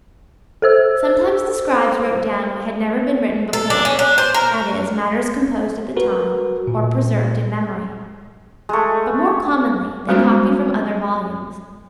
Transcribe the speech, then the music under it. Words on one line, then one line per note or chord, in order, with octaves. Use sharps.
Sometimes the scribes wrote down what had never been written before, that is, matters composed at the time, or preserved in memory; but more commonly they copied from other volumes.
A4 C5 E6
A4
D4
C#4
D4
C5
A#4
F#4 A#4 B4
A#2
G#3 A3
G3 G#3 B3 C#4 F#4 C5